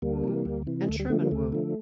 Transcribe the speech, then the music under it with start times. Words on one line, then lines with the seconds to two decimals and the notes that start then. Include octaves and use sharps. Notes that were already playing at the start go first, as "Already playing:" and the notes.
Wu and Sherman Wu.
0.02 D2 G3 A#3
0.24 C3 E3
0.45 D2
0.67 C3 E3
0.81 G3
0.89 D2 A3
1.00 G3
1.10 D3 F3 A3
1.21 G3 A#3
1.31 D2 A3
1.52 D3 F3